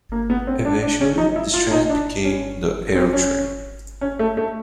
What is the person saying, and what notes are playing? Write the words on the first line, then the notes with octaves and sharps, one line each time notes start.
Eventually, these trains became the Aerotrain.
A#3
B3
C4
D4
D4
C#4
D#4
E4
F4
D#4
D4
C#4
C4
C#4
C#4
A3
A3